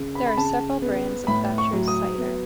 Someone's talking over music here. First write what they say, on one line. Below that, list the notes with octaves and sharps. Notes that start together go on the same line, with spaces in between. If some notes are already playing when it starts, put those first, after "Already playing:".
There are several brands of Thatchers cider.
Already playing: C#3
B5
B5
C#3 A5
B3
A2 B5
C#6
F#3
D#6
B3